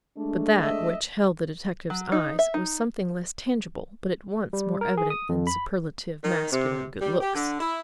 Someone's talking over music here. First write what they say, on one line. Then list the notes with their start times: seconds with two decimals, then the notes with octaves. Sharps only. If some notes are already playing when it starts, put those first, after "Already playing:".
But that which held the detective's eyes was something less tangible but at once more evident than superlative masculine good looks.
0.17 G#3 A3 D4
0.56 D#5 E5
1.90 F#3
2.12 D#4
2.39 E5
2.54 D#4
4.53 G3
4.81 A#4
4.97 G#4
5.10 D#6
5.29 F2
5.47 B5
6.22 D#3
6.51 C3
7.00 G3
7.21 G4
7.35 D3
7.59 E4